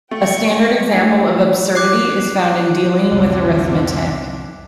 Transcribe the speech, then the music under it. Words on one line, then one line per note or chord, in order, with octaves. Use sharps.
A standard example of absurdity is found in dealing with arithmetic.
A3 G5 C#6
A3 D4 E4 G#4
D6 F#6 C7
C2 F2 D3